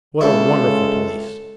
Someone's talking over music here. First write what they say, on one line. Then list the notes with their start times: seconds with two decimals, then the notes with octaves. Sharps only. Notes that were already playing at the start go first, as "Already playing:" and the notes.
What a wonderful Police!
0.21 C#2 C#3 G#3 E4 A4